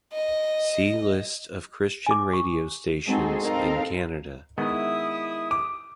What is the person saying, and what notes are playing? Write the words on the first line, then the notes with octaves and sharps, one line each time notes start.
See List of Christian radio stations in Canada.
D#5
G#5 D6
C#6
G#3 C4 D#4 F#4 G#4 A4
C4 D#4 A4 A#4 F5
D#3 G#3 B3 E4 D#6
D6